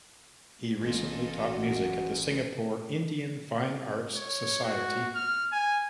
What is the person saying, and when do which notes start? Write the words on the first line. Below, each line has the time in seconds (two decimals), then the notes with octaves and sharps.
He recently taught music at the Singapore Indian Fine Arts Society.
0.82 A1 F4 A4 D#5
1.44 F#4
4.16 C#5
4.64 F#4
5.15 F6
5.52 G#5